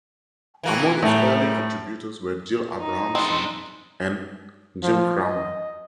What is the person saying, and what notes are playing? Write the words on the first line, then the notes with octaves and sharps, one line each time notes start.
Among its early contributors were Jill Abramson and Jim Cramer.
E3 A#3 F#4
F#2 A2 G3
D#4
G#3 C4 D4 E4
F3
D#5